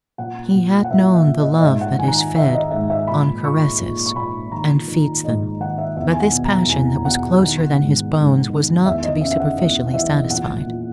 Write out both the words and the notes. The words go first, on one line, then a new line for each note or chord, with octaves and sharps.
He had known the love that is fed on caresses and feeds them; but this passion that was closer than his bones was not to be superficially satisfied.
A#2 F#5
A#2
F#5
A#2 E5
E5
A#2
D#5
D#5
G#2 E5
F#5
D#3 G#5
A#5
G#5
D#3 E5
D#5
G#2 E5
E5
A#2 B5
A#2 C#6
A#2
C#6
A#2 B5
D#3 A#5
D#3
G#2 D#5
D#3 F#5
E5
E2 E5
G#5
F#5
B2
A#5
E2 G#5
B2 F#5
D#3
G#2
G#2
D#3
E2 E5
D#5
C#3 E5
E5
F#5
E2 E5
F#5
E3 E5
A#2 F#5
A#2